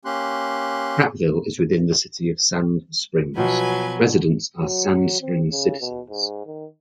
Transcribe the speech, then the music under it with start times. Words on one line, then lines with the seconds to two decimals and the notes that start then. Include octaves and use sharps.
Prattville is within the City of Sand Springs; residents are Sand Springs citizens.
0.05 A#3 C#4 G4 C6 F#6
3.37 B2 F3 F#3 B4 G#5
4.60 F#3
5.21 C4
5.52 C#3
5.80 B2
6.10 G#2
6.46 D#3